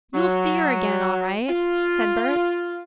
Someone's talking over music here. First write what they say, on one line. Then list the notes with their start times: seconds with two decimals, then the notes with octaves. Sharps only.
"You'll see 'er again all right," said Bert.
0.15 F#3
1.49 F4